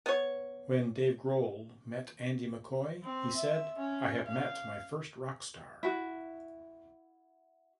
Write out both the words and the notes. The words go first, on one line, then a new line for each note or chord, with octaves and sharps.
When Dave Grohl met Andy McCoy he said I have met my first Rockstar.
B3 C#5
C4
E5
C#4
F5
E4 F#4